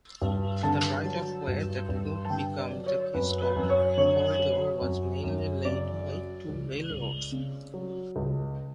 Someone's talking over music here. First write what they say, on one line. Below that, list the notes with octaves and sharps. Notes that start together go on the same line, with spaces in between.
The right-of-way that would become the Keystone Corridor was mainly laid by two railroads.
G2
D3 A5
F#3
G2
G2
A5
D3 G5
D5
F#3
C#5
F#2 B4
B4
F#2
C#5
D3 C#5
F#3
F#2
F#2
C#3 D5
F#3
C#2
C#2
C#3
F#3
C#2